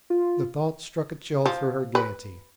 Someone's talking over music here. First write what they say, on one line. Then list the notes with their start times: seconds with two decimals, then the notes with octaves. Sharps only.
The thought struck a chill through her gaiety.
0.10 F4
1.46 F3
1.95 B4